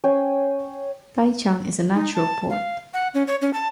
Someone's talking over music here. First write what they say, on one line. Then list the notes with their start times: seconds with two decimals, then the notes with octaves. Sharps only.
Taicang is a natural port.
0.04 C#4 C5 G5 G#5
1.95 D#4
2.15 A5
2.50 F5
2.94 F#5
3.14 C#4
3.27 C#5
3.42 C#4
3.53 A5